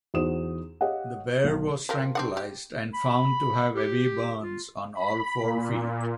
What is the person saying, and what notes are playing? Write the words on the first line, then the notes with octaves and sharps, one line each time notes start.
The bear was tranquilized and found to have heavy burns on all four feet.
E2 D#4 F#4 C5 D#6 E7
G4 C#5 D#5 F5 F#5
B1
F3 G4 A#4
C4 D4 F#5
G4
B5
G4
F4
B5
A#2